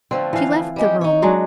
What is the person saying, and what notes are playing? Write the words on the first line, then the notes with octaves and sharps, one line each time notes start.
She left the room.
D3 F3 A3 C4
E3 F5
G3 G#3 G4
D#4 C#5
F#3 G#3 D4